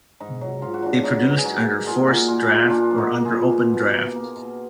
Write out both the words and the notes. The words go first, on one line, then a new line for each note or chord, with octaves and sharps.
They produced under forced draught, or under open draught.
G#2 D#4
F#3
G#2 F4
F#4
F#3 D4 F4
F#3 D#4 F#4
G#2 B4
A#4
G#4
F#3 D#4 F#4
G#2
A#2 F4 G#4
A#2 F#4 A#4
A#2 F4 G#4
A#2 D#4
A#2 D4 F4
A#3
D#4 F#4
A#3
F4 G#4 A#4
A#2
B2
B2
A#3
A#3
B2